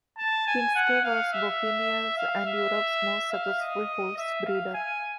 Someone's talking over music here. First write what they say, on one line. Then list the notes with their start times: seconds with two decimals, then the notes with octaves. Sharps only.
Kinsky was Bohemia's and Europe's most successful horse breeder.
0.18 A5
0.47 G#5
0.75 F#5
1.04 F5
1.33 E5
2.17 F5
2.46 E5
3.31 F5
3.60 D#5
4.17 E5
4.45 F5
4.74 G#5